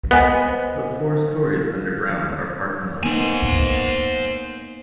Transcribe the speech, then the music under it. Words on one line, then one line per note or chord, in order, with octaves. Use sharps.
The four stories underground are parking levels.
B3 C5 D#5 G#5
A#3 B3 D#4 C5 G#5